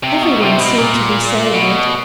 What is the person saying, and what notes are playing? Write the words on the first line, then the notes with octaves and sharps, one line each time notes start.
Everyone seemed to be saying it.
C3
B2
C3
B2
A#2
B2